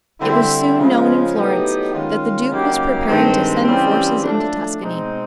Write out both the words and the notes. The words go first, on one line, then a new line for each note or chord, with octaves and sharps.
It was soon known in Florence that the duke was preparing to send forces into Tuscany.
D3 G3 C4 E4
C#3 F3 G#3
A2 F#3 B3 D#4 G4
D#3 G#3 C#4 F4
C#3 F#3 A#3 D#4 G4
G2 D#3 G#3 C4
C#3 E3 G3 C4
A2 F3 A3 D4
B2 G#3 C4 D#4